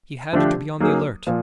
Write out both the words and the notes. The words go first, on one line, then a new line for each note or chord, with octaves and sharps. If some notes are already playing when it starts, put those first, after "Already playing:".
He had to be on the alert.
D3 F3 A3 D4 G4
F#3 A#3 D#4 G#4
A#2 F3